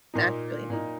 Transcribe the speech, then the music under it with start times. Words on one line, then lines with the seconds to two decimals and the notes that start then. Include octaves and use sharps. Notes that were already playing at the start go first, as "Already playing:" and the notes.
That's really neat.
0.14 A#2 A#3 D#4
0.70 A#2 A#3 D#4